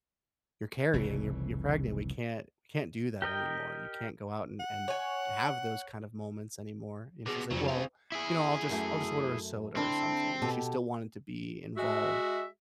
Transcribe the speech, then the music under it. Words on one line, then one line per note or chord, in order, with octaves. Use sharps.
you're carrying, you're you're pregnant. We can't can't do that anymore. You can't go out and and have those kind of moments anymore." And she's like, "Well, you know, I'll just I'll just order a soda or something." You know? She still wanted to be involved
F1 C2 C#3 E3
G4 A#4 D#5 G5
F#5
C#5 G#5
C2 B2 G#4 D6
F1 F2 F#3 G3
C4 F4 G#4
E4 G#4
F#2 A3
D3 C4 D4 E4
B2 G4 A4
G#3 F#4 E5